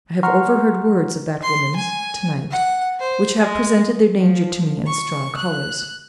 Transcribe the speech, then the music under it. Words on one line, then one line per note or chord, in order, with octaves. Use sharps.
I have overheard words of that woman's, to-night, which have presented their danger to me in strong colours.
F#5 A#5 C6 C#6 F6
C6
G#5
F#5
C5
G#3
F3
C#6
F#6